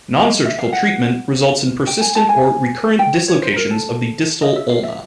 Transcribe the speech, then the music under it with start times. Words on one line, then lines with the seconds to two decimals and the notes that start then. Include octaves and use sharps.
Nonsurgical treatment results in persistent or recurrent dislocations of the distal ulna.
0.17 D#5
0.45 E5
0.58 F5
0.73 F#5
1.87 G5
2.01 G#5
2.15 A5
2.29 G#5
2.99 G5
3.14 C#5
3.28 C#5
3.42 C5
3.56 A#4
3.71 A4
4.42 D#5
4.56 E5
4.69 F5
4.84 E5